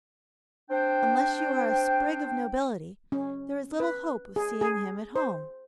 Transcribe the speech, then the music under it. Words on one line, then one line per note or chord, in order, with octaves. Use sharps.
Unless you are a sprig of nobility there is little hope of seeing him at home.
C4 D4 C5 G5
C#4
B4
G#4
G#4
C5